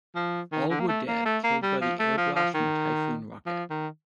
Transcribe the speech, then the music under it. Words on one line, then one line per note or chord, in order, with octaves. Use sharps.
All were dead, killed by the air blast from a Typhoon rocket.
F3
D#3
D3
A#3
A3
A#3
A3
A#3
G3
F3
A3
F3
F3
D#3
F3
D#3